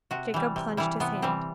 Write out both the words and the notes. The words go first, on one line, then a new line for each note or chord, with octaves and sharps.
Jacob plunged his hand.
C3 F#4
E3 G3
C3
E3 G3 E4
C3 B3
E3 G3 C4